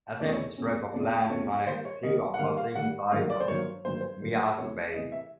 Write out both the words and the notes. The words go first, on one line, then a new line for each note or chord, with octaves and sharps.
A thin strip of land connects two opposing sides of Miyazu Bay.
E2 C3 F3 A3 C#4 D5
C#5
E2 C3 F3 A3 C#4
E2 C3 F3 A3 C#4 D5
E2 C3 F3 A3 C#4 C#5
D#3 G3 A#3 C5
C#5
D#3 G3 A#3 D#5
F#5
D#3 G3 A#3 F5
F5
D#3 G3 A#3 F#5
G2 D#3 F#3 A#3 F5
D5
C5
G2 D#3 F#3 A#3 C#5
G2 D#3 F#3 A#3 C5
C5
G2 D#3 F#3 A#3
C3 E3 A3 C#5
C3 E3 A3 D#5
E5